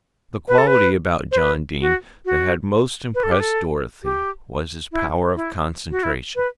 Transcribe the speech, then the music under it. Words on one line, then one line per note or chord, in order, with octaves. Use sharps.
The quality about John Dene that had most impressed Dorothy was his power of concentration.
B4
A4
B4
C5
B4
F#4
F#4
B4
A4
G4
A4
G4
E4
E4
F#4
E4
B4